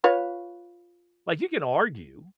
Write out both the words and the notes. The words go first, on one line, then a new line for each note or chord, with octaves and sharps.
like, you can argue
F4 B4 C#5